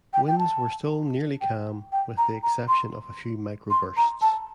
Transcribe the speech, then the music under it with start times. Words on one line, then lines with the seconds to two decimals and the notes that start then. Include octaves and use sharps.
Winds were still nearly calm, with the exception of a few microbursts.
0.13 G5
0.28 G5
0.38 A5
1.41 G5
1.92 G5
2.18 A#5
2.43 A#5
2.68 C6
3.70 C6
3.97 A#5
4.22 A5